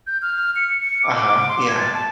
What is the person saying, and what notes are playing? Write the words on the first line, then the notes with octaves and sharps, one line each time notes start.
Uh-huh, yeah.
G6
F6
C#7
C#7
D6
D6
C6
G#6
A6
A5